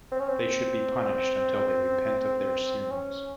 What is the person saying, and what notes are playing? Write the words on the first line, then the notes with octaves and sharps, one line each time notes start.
They should be punished until they repent of their sins.
C4
C#4
C4
C#4